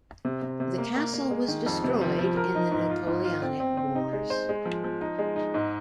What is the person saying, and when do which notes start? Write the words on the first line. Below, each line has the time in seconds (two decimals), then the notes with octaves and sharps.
The castle was destroyed in the Napoleonic wars.
0.25 C3
0.42 C3
0.60 C3
0.78 A#3
0.96 A#3
1.14 A#3
1.30 G#3
1.48 D#3
1.66 F2
1.84 C3
2.01 F3
2.19 F3
2.37 A#4
2.55 D#4
2.72 G#2
2.90 F4
3.07 G#2
3.25 F4
3.42 C4
3.60 C4
3.77 C4
3.95 D#4
4.13 G#3
4.30 C5
4.49 G#3
4.66 F3
4.84 F3
5.01 D#4
5.19 G#3
5.36 D#4
5.54 G#2